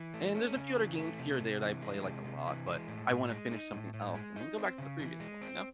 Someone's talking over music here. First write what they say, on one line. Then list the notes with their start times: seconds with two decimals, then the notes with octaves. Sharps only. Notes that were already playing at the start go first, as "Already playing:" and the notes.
And there's a few other games here or there that I play, like, a lot, but I wanna finish something else and then go back to the previous one, you know?
Already playing: E3
0.14 A3
0.35 C#4
0.56 C#3
0.76 E3
0.98 A3
1.19 C3
1.40 C3
1.62 E3
1.82 G#3
2.04 C3
2.24 C3
2.46 E3
2.67 G#3
2.88 A2
3.10 A2
3.30 G#3
3.51 D#4
3.73 A2
3.94 A2
4.14 G#3
4.36 D#4
4.58 C4
4.78 C#3
4.99 E3
5.20 G#3
5.42 C4